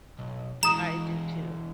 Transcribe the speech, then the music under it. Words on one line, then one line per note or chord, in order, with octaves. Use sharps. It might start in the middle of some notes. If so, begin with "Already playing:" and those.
I do too.
B1
E3 G#3 A#5 D#6 E7